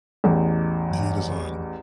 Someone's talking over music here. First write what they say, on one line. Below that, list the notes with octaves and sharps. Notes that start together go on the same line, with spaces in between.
The Heat Is On.
A1 E2